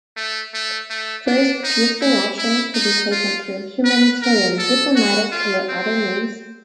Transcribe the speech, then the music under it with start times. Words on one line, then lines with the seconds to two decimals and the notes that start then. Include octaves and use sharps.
First peaceful action is to be taken through humanitarian, diplomatic, or other means.
0.17 A3
0.54 A3
0.90 A3
1.27 D4
1.64 D#4
2.01 E4
2.38 E4
2.74 D#4
3.12 F4
3.85 B4
4.22 A#4
4.59 A4
4.96 F#4
5.32 F4
5.69 C4